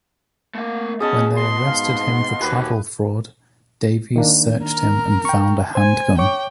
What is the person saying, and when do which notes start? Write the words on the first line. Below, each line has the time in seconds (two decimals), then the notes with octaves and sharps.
When they arrested him for travel fraud, Davies searched him and found a handgun.
0.55 A3 A#3 F5
1.00 B2 C#4 G#4 D#5 A5 D#6
1.37 C6
1.66 G#2 F5
2.41 D#2 F#4 G#4 B4
4.16 D#3 A#3 D4
4.66 A#4
5.25 G5 C#6
5.75 C5 G#5 G#6
6.19 C#5 G5 C#6 D6